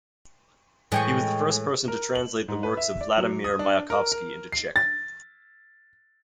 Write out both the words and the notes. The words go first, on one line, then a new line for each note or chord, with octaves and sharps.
He was the first person to translate the works of Vladimir Mayakovsky into Czech.
A2 E3 G#3 D#5 G5 C#6
A#4
F#7
G#2
B4
E5
D5
F#3
D#6
D4
A#4
A#4
C7
A6